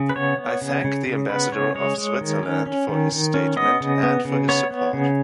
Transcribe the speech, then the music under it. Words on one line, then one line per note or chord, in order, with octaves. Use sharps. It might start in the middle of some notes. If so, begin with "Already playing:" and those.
I thank the Ambassador of Switzerland for his statement and for his support.
Already playing: C#3
B4
B3 C#5
B3
C#3
C#3
C#3
B3 B4
C#3 C#5
G#3 C#5
G#3
D#3
C#4
C#4
D#3
D#3
C#4
B3 D#5
C#3
B3
C#3
B3 C#5
B3
C#3